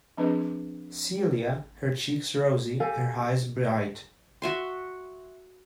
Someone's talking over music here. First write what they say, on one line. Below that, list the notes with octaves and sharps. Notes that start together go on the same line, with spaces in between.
Celia, her cheeks rosy, her eyes bright.
F3 C4 D4 G#4 B4 D#5
G4 A4 F5 G#5
F#4 E5 C6